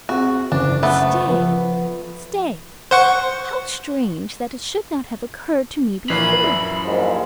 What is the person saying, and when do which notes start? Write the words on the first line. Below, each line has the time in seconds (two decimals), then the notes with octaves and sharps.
Stay!--stay!--How strange that it should not have occurred to me before!
0.09 C4 F#4 G#4
0.52 F#1 D4
0.83 A3 B3 A4
1.27 F3 B4
2.91 C5 F#5 C#6
6.10 A#1 A#2 E3 B5 C7
6.44 F#2 E4
6.85 A#1 D#2 G#2 F3